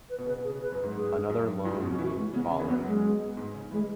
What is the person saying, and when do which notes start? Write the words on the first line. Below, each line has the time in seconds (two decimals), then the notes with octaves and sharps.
Another loan move followed.
0.10 B4
0.18 B2
0.26 C#3 B4
0.39 B2
0.44 G#4
0.50 C#3
0.61 B4
0.72 F#2 F#3
0.83 G#2 G#3
0.95 G#2 G#3 G#4
1.30 F#2 F#3
1.64 F#2 F#3 E4
1.73 G#2 G#3
1.76 F#4
1.82 B2 B3
1.88 F#4
1.91 C#3 C#4
1.98 E3 E4 F#4
2.16 G#3
2.34 C#3 B3 C#4
2.51 C#3 C#4
2.59 E2 E3
2.68 F#2 F#3 B3
2.85 G#3
3.26 B3
3.37 G#2 G#3
3.54 C#3 C#4
3.71 E3 G#3 E4